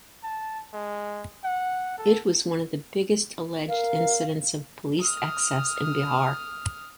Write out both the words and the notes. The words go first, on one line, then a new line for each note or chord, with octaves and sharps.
It was one of the biggest alleged incidents of police excess in Bihar.
A5
G#3
F#5
A4
A#4 F5
D#6 F6